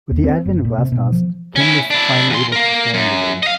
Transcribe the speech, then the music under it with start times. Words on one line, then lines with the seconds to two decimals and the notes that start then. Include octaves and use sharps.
With the advent of glasnost, Kim was finally able to perform legally.
0.11 D#2
0.24 C4
0.46 F#1
0.65 A#2
0.78 C3
0.92 B2
1.12 F3
1.56 C#4 E4
1.91 D4 E4
2.30 E2 C6
2.52 A#4 F5
2.94 F#2
3.43 D#5 F5